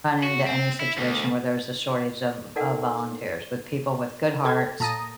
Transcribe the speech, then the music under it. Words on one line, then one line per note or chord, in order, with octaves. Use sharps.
into any situation where there's a shortage of of volunteers with people with good hearts
F#4
C4
E4
D2
D#4 A4 A#4 D5 F#5
A4 G5 G#6
A#2 A5 A#5 D#6 A#6